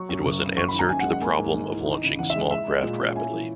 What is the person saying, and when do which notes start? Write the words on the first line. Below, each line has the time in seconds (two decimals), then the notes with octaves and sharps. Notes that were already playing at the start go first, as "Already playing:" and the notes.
It was an answer to the problem of launching small craft rapidly.
Already playing: F#3 C#6
0.09 F#2
0.25 F#1
0.41 C#3
0.57 F#2 C#6
0.68 B5
0.73 D#3
0.79 A#5
0.89 F#2 G#5
1.00 F#5
1.06 G#3
1.12 F#5
1.22 A#3 G#5
1.39 G#2
1.54 G#1
1.70 E3
1.86 D#4
2.03 C#3
2.18 E2 F#5
2.30 E5
2.36 G#3
2.51 E4 E5
2.68 G#3
2.83 A#2
3.00 C#4
3.15 E4 G#5
3.32 E3